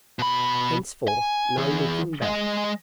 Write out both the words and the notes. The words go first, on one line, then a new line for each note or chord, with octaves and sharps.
Henceforth no looking back.
B2 B5
G#5
E3 G#4
G#3 D#5